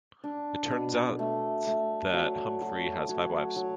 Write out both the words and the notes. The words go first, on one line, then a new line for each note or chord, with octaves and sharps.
It turns out that Humfrey has five wives.
D4
B2
A3
A3
F#3
F#3
F#3
F#3